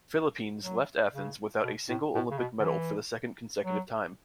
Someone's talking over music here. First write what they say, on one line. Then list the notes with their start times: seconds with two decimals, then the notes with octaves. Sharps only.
Philippines left Athens without a single Olympic medal for the second consecutive time.
0.63 F#3
1.14 C#3
1.64 B2
1.89 A2
2.14 A2
2.31 C#3
2.38 B2
2.60 D3
2.64 E3
3.64 F#3